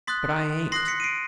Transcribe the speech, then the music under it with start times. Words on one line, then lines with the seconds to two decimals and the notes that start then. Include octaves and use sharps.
"But I ain't."
0.07 C6 D#6 F#6 A6 B6
0.72 C6 D#6 F#6 A#6 C7
0.88 B6 C#7
1.00 D#7
1.04 C7 D7